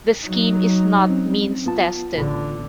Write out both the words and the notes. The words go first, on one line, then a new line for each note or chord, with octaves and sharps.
The scheme is not means tested.
F#3 D#4
C4 C#4
B3 F4 A5
A1 D3